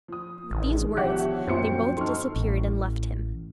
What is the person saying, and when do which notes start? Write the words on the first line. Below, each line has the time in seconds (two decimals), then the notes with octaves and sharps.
With these words they both disappeared and left him.
0.08 F3 D#6
0.51 A1 D3 D#3
0.70 G#3
0.97 B2 F3 D4 G4 C#5 E5 F#5
1.48 F#2 A#2 F3 C4 C5 C#7
1.97 D#4 A4 C6 C#6 F6
2.36 A1